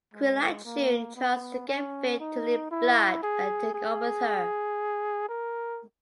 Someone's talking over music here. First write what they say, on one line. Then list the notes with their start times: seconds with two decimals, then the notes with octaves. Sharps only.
Quilla June tries to get Vic to leave Blood, and take off with her.
0.14 G#3
0.65 A#3
1.16 B3
1.68 C#4
2.20 D#4
2.71 E4
3.23 G#4
3.74 G#4
5.29 A#4